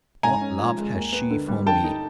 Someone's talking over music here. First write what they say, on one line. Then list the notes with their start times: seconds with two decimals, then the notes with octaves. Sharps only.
What love has she for me?
0.23 G#2 G#5 A#5
0.41 C#4
0.59 F3
0.78 G#3
0.95 D#2
1.13 B3
1.31 D3
1.48 G3
1.66 D3 G5 A5
1.84 D#4